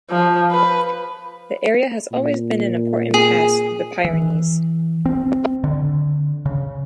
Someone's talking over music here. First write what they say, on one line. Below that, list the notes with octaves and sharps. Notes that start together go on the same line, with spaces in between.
The area has always been an important pass through the Pyrenees.
F3
B4
A#2
G#4
E3
C4
D3
C#3